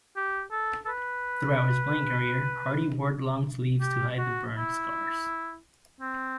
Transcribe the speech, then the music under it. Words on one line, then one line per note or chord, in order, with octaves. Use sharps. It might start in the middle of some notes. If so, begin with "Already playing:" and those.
Throughout his playing career, Hardie wore long sleeves to hide the burn scars.
G4
A4
A4
B4
G4
F#4
E4
C4